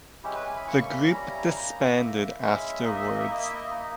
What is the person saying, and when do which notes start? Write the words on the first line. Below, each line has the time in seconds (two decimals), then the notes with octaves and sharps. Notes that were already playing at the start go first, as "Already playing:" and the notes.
The group disbanded afterwards.
0.23 G#3 C#4 E4 G4
0.35 B4
0.45 G#5
0.56 B5
0.67 A#3 C#4 E4 C#6
0.81 C#6
0.89 B5
1.10 G3 C#4 E4 A#5
1.54 A#3 D#4
1.97 A#3 E4 E5
2.41 G#3 C#4 E4
2.85 A#3 D#4 D#5
2.96 E5
3.08 D#5
3.19 E5
3.27 A#3 E4 D#5
3.42 E5
3.54 D#5
3.71 A#3 D#4 D#5